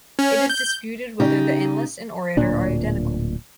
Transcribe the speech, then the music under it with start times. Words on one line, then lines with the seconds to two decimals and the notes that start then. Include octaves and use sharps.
It is disputed whether the annalist and orator are identical.
0.19 C#4
0.50 G6
1.20 C#3 D#4 G4
2.37 D1 A#2 D4